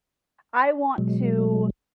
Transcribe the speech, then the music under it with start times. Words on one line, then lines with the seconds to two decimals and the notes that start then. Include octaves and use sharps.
I want to
0.98 B2 F#3 G#3